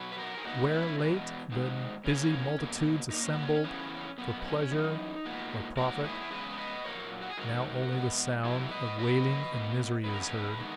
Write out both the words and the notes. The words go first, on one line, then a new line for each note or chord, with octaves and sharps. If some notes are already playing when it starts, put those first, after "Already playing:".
Where late the busy multitudes assembled for pleasure or profit, now only the sound of wailing and misery is heard.
Already playing: B2 F#3 B3
B4
F#4 A#4
G#4
A#2 G#3 B3 D#4 F#4
C#4 E4
E2 B2 G#3 B3
G#2 D#3 G#3 B3
C#3 E3 A#3 C#4
B2 A#3
A#2 A#3 D#4
C#4
B3
C#4
C#3 E3 B3
B2 F#3 A#3 B3
B3
C#4
F#2 E3 B3 D#4
A#2 G#3 B3
G#2 F#3 A#3 F#4 A#4
E4 G#4
E2 C#3 G#3 B3 G#4 B4
B4 D#5
A#2 F#3 A#3 A#4 C#5
F#4
G#4
G#2 D#3 G#3 F#4 A#4
B2 G#3 B3
B2 F#3 B3 E4 G#4
B4 D#5
C#3 F#3 A#3 B4 D#5
B2 A#3
C#3 E3 G#3 B3 B4
A#4
G#4 B4
D#3 G#3 B3